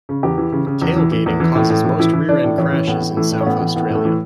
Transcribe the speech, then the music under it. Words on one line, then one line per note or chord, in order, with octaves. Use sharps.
Tailgating causes most rear-end crashes in South Australia.
C#3
E2 G4
E3
C#3
C#3
E2
E3
E3
E2
E3
A2
A2
E3
E3 E4
E3
E3 D4
A2
E3 C#4
E3
A2 B3
A2
E3 A3
A2
C#4
A2 B3
E3
A2 B3
A2 A3
E3